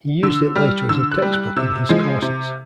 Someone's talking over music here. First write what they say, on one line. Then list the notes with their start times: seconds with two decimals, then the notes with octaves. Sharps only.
He used it later as a textbook in his courses.
0.23 D3 E6
0.56 G3 F6
0.89 D3 E6
1.11 F#6
1.22 G3
1.33 F#6
1.56 C3 E6
1.89 F3 G#3
2.22 C3